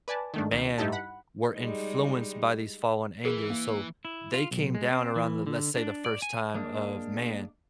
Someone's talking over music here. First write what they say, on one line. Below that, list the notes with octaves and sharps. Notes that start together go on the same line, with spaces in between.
man were influenced by these fallen angels, so they came down around, let's say, the first time of man.
B4 D5 G#5 A5
D#3 A3 D4
C#2 D#3
G2 D#4 E4 G4 A5
F#5 B5
G3 G#3 D#4
E3 G#4 A#4
A#3
E4
F4
B1
G#3
C4
E3
D3
D4
D5
G#5
G#3 A#3 D4